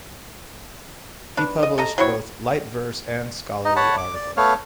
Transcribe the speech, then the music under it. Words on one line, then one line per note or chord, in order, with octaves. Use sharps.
He published both light verse and scholarly articles.
D4 B4
D#5
A4 D#5 A#5
F#3 C4 E4 C#5
D#4 D#5
C#5 F#5 A5 B5
D6
D5
A3 B3 C#5 F5